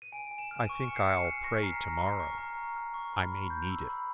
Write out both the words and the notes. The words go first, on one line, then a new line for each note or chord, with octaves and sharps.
I think I'll pray to-morrow; I may need it.
D#7
G#5 D7
G#5
E7
F6 E7
D#7
C#6
G#5 C#7
C7
G#5 C#7
F6
C#6 A#6
B6
A#5 C7
A#5
F6
C#6
A#5
A#5
F6
C#6
B5
B5
G6
E6
B5